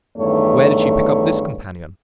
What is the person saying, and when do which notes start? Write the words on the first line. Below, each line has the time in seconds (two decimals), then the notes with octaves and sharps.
Where did she pick up this companion?
0.18 E2 G2 D#3 A3 C#5